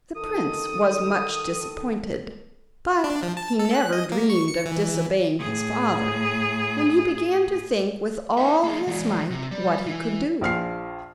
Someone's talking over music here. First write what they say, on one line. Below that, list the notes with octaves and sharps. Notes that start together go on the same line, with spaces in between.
The prince was much disappointed, but he never dreamed of disobeying his father, and he began to think with all his might what he could do.
D#3 A4 D#6
D4
F3
A5
A4
F#6
D#5
A#3
C#6
C#7
E3
A2 G#4
D#4 E5
A#3 G#4
E3 G#3
C3
G3
E3
A#1 F3 F6 C7